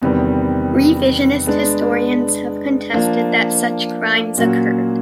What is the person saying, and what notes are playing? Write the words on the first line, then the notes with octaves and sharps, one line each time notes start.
Revisionist historians have contested that such crimes occurred.
E2 C3 D#3 G3 B3
G#3 B3 D4
F3 A#3 D4
A#2 F#3 A#3 C#4 F#4